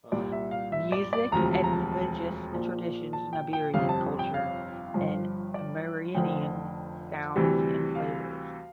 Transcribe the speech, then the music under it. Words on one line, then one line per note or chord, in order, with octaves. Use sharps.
Music and religious traditions in Iberian culture and Amerindian sounds and flavors.
C2 A#2 G3 D5
E5
F5
E5
D5
D5
E1 D2 C3 F3 A#5
A5
A#5
A5
A5
A#1 A#2 F3
A5
G5
G5
G1 F2 C3 F5
A5
G5
F5
G1 G2 F3
D5
F1 F2 D3 F3 G5
D2 C3 E3 G3
F5